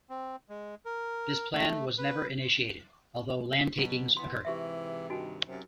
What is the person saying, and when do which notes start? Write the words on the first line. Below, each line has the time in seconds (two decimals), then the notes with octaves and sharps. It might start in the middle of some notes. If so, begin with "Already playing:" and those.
This plan was never initiated, although land takings occurred.
0.10 C4
0.49 G#3
0.86 A#4
1.55 A3
1.98 B4
3.76 B2 F#3
4.17 E3 B3 C6
4.45 G#2 C3 E3 G4 E5
5.10 G2 C3 D#3 D#4 F#4 G#5
5.47 F#2 C3